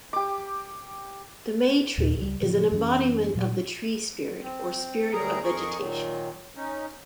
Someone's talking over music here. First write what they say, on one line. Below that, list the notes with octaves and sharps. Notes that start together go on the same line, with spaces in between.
The May-tree is an embodiment of the tree-spirit or spirit of vegetation.
G4 D6
D#2 A#2 D#3
C#2 G3
A2 C#3 F3 F#3
F#2 E3 C#4
A#2 F#3 G3
C4
D2 F#3 G3 G#4 A#4 A#5
F2 G#4 A#4 C#6
A#2 D#3 F#3
C#4 D#4